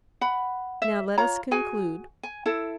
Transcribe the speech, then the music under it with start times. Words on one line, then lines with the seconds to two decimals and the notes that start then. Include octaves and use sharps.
Now let us conclude.
0.21 F#5 B5
0.82 E5
1.18 F4 C#5 A#5
1.51 F#4 G#4 G#5
2.23 G#5
2.46 E4 A4